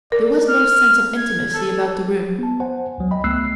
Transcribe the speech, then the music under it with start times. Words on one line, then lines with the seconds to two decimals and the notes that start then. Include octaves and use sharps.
There was no sense of intimacy about the room.
0.12 A#4 D5
0.48 F6
1.18 G#6
1.54 A4
2.39 B3 A5
2.60 C5 F#5 G#5
2.98 C#2 F#3
3.11 D#5 G5 B5
3.24 C#2 A3 B3 E6 F#6 C7